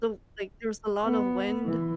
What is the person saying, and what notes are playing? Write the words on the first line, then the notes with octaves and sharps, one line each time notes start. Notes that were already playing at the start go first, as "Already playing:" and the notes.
so, like, there was a lot of wind.
B3
E3